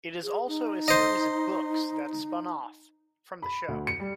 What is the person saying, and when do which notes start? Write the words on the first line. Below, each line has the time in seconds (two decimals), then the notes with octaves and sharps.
It is also a series of books that spun off, from the show.
0.23 G#4
0.48 D#4
0.88 C5 D#5
3.42 B5
3.68 D2
3.87 C#7
4.00 G3